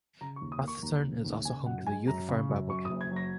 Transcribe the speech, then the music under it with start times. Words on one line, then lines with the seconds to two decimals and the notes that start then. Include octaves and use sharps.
Rosthern is also home to the Youth Farm Bible Camp.
0.21 C#3 A#5
0.36 C#6
0.41 D#2
0.52 D#6
0.62 A#3
0.68 C#6
0.83 D#2 A#5
1.03 C#3
1.25 D#2
1.45 C#3 G#5
1.66 F#2 F#5
1.87 G#3 G#5
2.07 F#2 A#5
2.28 C#3
2.49 F#2
2.70 F#2 C#6
2.85 D#6
2.91 F#1
3.01 G#6
3.11 F#3
3.16 A#6